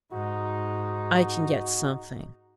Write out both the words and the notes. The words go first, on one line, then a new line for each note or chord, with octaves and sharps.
"I can get something."
G#2 D#4 F#4